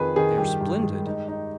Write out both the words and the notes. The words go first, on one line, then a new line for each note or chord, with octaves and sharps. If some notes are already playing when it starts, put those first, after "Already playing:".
They are splendid.
Already playing: F2 D#3 G#4 B4
D#3 G#4
G2 G4
G2
G#3
D#4
D#4